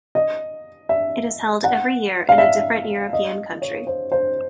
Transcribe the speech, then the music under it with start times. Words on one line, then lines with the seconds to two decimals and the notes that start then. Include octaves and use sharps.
It is held every year in a different European country.
0.15 D#5
0.89 E5
1.64 F#5
2.29 F5
2.38 E5
3.13 D#5
3.62 C#5
3.87 C5
4.12 C5